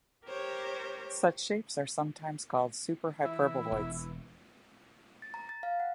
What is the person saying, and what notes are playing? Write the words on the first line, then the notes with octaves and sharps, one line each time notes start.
Such shapes are sometimes called super-hyperboloids.
G4 A#4 C5 C#5
E3 E4
E1
A6
A#5
A6
F5
F#5